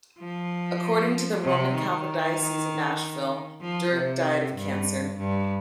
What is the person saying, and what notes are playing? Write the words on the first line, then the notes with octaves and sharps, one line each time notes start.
According to the Roman Catholic Diocese of Nashville, Durick died of cancer.
F3
C3
D#3
F3
C3
G2
G2